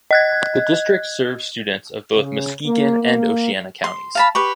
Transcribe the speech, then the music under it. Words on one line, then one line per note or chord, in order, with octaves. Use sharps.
The district serves students of both Muskegon and Oceana counties.
D#5 F#6 G#6
C#3
A#3
A#3
C6
F5 A5 B5
G4 B4 C#6